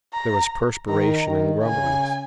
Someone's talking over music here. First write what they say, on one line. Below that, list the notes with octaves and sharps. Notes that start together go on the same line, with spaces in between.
There was perspiration and grumblings.
A#5
D#3 A#5
D#3
C#3 G#5